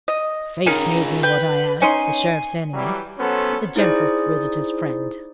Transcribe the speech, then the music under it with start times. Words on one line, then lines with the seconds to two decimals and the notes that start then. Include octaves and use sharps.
Fate made me what I am, the Sheriff's enemy, but the gentle visitor's friend.
0.08 D#5
0.66 C#4 D#4 F4 G#4 A#4
1.23 B4 G5
1.82 C#4 D#4 G#5 C6
2.74 E3 F#3 G3
3.17 F#3 B3 C#4 A4 C5
3.76 D#4 E4 G#4 C5 D5